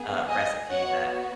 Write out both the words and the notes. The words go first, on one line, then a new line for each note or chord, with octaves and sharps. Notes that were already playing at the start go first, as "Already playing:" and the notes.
uh, recipe that
Already playing: B3 G#4
D#5 G#5
B3 F#4 C#5 F#5